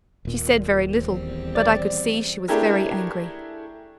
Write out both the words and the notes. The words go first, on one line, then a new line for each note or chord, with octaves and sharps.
She said very little, but I could see she was very angry.
D#1 A#2
E2 G3 C4
D5
A3 D4 E4 G4 G#4 A#4